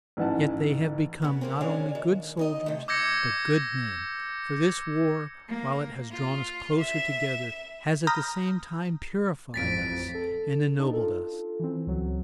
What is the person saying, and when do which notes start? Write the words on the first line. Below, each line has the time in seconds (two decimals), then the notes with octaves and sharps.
Yet they have become not only good soldiers, but good men, for this war, while it has drawn us closer together, has at the same time purified us and ennobled us.
0.17 A1 G#2 E3 F#5 A5
1.22 C#3 B3
1.41 C3 A#3 C4
1.61 D3 G#3 C#4 D4 F5
1.95 D#3
2.37 D#2 D#4 D#5
2.66 C3 A3
2.88 D6 E6 G6 G#6 A#6 C#7
5.48 A#3
6.10 F4
6.78 E5
8.07 A#5 B5 D#6 F6 G6 A#6
9.54 A1 F2 A6 B6 D7
10.15 A4
10.79 D4 D#4
10.93 F4 A4
11.59 E3 C4
11.87 C#2 F#3